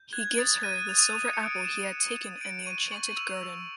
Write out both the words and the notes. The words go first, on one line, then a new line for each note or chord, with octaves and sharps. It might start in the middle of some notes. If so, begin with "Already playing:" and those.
He gives her the silver apple he had taken in the enchanted garden.
Already playing: G6
F#6 G#6
D#6 A6
F#6 D#7
D#6 F7
D#6
C#7
D#6 D7
D#7
D#6 E7
F7
F#6
F7
D#6
D#7
G6 D7
C#6 D#7
C#6 F#7
E6 F7
E6